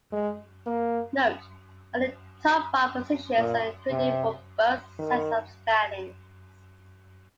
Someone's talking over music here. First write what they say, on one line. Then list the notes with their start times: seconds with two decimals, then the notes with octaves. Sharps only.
Note, only the top five positions are included for both sets of standings.
0.13 G#3
0.66 A#3
3.38 A#2
3.91 C3
4.99 D#3